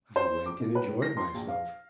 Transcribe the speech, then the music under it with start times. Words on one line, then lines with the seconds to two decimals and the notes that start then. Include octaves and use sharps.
I went and enjoyed myself.
0.16 C5
0.46 D6
0.60 B2
0.75 B4
0.87 A2
1.02 A#6
1.17 C6
1.35 A#1
1.48 F5